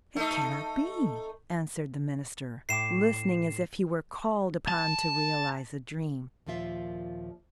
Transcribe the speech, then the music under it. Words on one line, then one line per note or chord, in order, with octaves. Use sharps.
"It cannot be!" answered the minister, listening as if he were called upon to realise a dream.
A3 D#4
A2 G5 D6 C7 E7
A5
D#2 A#2 F3 F4 E5